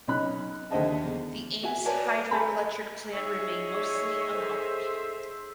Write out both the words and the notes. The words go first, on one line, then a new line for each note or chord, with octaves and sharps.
The Ames Hydroelectric plant remained mostly unharmed.
B1 C#4 D#4 B5 F#6
D#2 D3 C5 D#5 E5 A5
E2
F#4 E5 G#5
A#4 B4 C#5 D5 G#5 A5
A4 E5 G#5 A#5 B5
D#4 G#4 C#5 E5
A4 C5